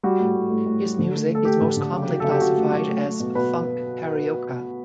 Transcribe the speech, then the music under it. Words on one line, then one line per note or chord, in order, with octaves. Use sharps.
His music is most commonly classified as funk carioca.
G3 F#4
A2
A2
A2
A2
G3
D3
A3
A3
A4
A3 G4
D3
D3
C#3
F#3
C#3 A4
G4
C#3 F#4
A3
F#3
A3
A3
B2
B2 B4